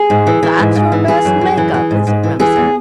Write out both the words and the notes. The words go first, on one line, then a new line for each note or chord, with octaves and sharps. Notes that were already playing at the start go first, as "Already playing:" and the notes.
"That's your best make-up, is it, Remsen?"
Already playing: G#4
G#2
E3
E3
G#2
G#2
E3
E3 G#4
F#2
F#2
E3
E3
G#2
G#2
E3
E3 G#4
E2